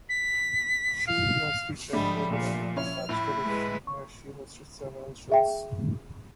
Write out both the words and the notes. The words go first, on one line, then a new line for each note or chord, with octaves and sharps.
She was featured regularly on Dutch television where she hosted several shows.
B6
F5
G#2 D3 F3 G3 A3 D4 B5
A#2
C#4 E4 C#5 F6
A2 E4
G#3 B4
C#6
G#4 E5 G5